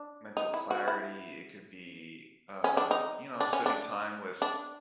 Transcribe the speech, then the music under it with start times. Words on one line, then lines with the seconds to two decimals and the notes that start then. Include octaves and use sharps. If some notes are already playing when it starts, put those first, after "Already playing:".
mental clarity, it could be, uh, you know, spending time with
Already playing: D4
0.37 D#4
0.54 E4
0.71 F#4
0.88 E4
2.64 C#4
2.77 D4
2.91 D#4
3.41 D4
3.53 C#4
3.66 D4
4.42 D4